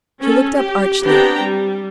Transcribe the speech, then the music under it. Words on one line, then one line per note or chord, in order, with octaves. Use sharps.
She looked up archly.
C#4 A4
G4
B3 C4 D4 G4 G5 A#5
G3